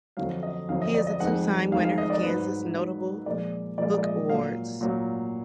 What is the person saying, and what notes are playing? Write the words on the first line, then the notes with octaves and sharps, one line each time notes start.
He is a two-time winner of Kansas Notable Book Awards.
F2 D3 F#3 F5
D#5
F2 D3 F#3 F5
D#5
D5
D#5
F2 D#3 G#3 F#5
F2 D#3 G#3 F5
F5
D#5
D5
G#2 F#3 B4
G#2 F#3
A#2 F3 G#3 D5
A#2 F3 G#3 D5
D5
D#5
A#2 F#3 F5
A#2 F#3